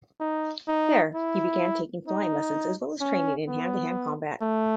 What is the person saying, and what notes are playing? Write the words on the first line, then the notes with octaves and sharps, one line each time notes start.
There, he began taking flying lessons as well as training in hand-to-hand combat.
D#4
D#4
E4
D#4
C#4
B3
A3